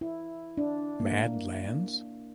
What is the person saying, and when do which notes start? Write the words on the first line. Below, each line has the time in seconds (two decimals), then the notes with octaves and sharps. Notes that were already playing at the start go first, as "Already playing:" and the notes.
Mad Lands?
0.01 E4
0.57 D4
1.00 A#3